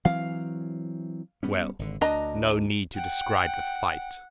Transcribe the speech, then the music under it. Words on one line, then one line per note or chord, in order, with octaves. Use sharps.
Well, no need to describe the fight.
E3 F#3 C4 F5
G3 B3 C#4
G#1 D3
D2 D4 D#5 A#5
F#5 G5